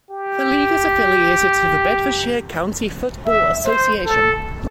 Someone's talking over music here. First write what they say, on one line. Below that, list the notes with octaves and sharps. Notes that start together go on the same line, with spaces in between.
The league is affiliated to the Bedfordshire County Football Association.
G4
E5
C5
A4